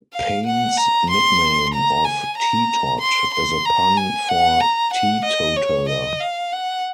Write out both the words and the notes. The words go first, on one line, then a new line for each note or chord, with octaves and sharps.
Payne's nickname of "Tee Tot" is a pun for "teetotaler".
F5
F#5
A#5
C6
A#5
G#5
A#5
C6
C6
A#5
G#5
F#5
A#5
F#5
D#5
C#5
D#5
F5
F#5